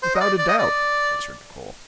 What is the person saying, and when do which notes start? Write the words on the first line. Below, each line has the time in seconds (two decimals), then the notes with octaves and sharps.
"Without a doubt!" answered Nicholl.
0.03 C5
0.15 D#5
0.20 D5
0.37 D5
0.48 D#5
0.59 D5